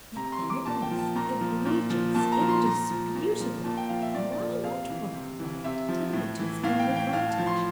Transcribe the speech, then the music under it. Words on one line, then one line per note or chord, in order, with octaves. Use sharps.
Yet there it was, egregious, indisputable. Why not profit by it, turn it to his own advantage?
C3 A#5
C6
E3
D6
A#2 A5
G5
F3
A5
A#2 A#5
F3
A#2
F3
A#2 A5
A#5
F3
C6
A#2 A#5
F3
A#2
F3
A#2 A5
G5
F3 F5
E5
A#2 D5
D5
F3
C3 F5
E3
C3
E3
C3 E5
F3
A2
E3
A2 F5
G5
E3
G5
A2 F5
A5
F3
C6